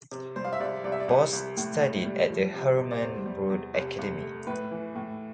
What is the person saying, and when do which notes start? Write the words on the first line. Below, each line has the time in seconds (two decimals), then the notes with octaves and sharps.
Bos studied at the Herman Brood Academie.
0.12 C3
0.36 G3 C5
0.45 F5
0.53 E5
0.60 C2 D5
0.84 C2 D5
0.92 E5
1.00 D5
1.08 C2
1.33 C2
1.57 A2
1.81 A2
2.05 G3
2.29 F3
2.54 C3
2.78 C3
2.91 D5
3.02 E2 C5
3.26 G3
3.50 E2
3.74 C2
3.99 C2
4.22 A3
4.47 A2 B4
4.71 E3
4.95 A2